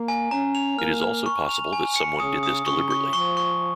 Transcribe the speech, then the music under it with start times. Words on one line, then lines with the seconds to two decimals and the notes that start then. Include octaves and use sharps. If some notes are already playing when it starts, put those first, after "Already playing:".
It is also possible that someone did this deliberately.
Already playing: A#3
0.08 G#5
0.31 C#4 A#5
0.55 F7
0.78 A#3 F6
1.02 F6
1.26 C#6
1.49 F7
1.73 G#5
1.96 C#7
2.19 C#3 D#6
2.43 D#6
2.66 C#3 C#6
2.90 C#6
3.13 F3 C#6
3.37 C#6